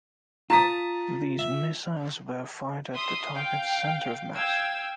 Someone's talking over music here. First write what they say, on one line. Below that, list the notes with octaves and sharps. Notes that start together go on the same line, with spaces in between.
These missiles were fired at the target's center of mass.
F4 A5 A#5 D#6 A6 B6
E5
E5 C6 D#6
F5 G5
F5 G5 E6 G#6